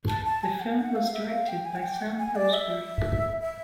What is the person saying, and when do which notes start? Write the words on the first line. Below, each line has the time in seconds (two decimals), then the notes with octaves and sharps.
The film was directed by Sam Pillsbury.
0.08 A5
0.25 A5
0.43 G#5
0.60 F#5
0.78 F#5
0.95 F5
1.13 E5
1.30 F5
1.48 G5
1.65 G#5
1.76 F#5
1.83 G5
2.01 F#5
2.18 G#5
2.35 D5
2.53 E5
3.41 E5